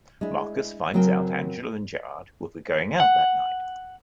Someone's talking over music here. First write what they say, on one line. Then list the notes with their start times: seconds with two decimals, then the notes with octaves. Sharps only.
Marcus finds out Angela and Gerard will be going out that night.
0.21 G#3 D4 E4
0.93 C#3 F#3 C4 A#4 G5 G#5
3.00 F#5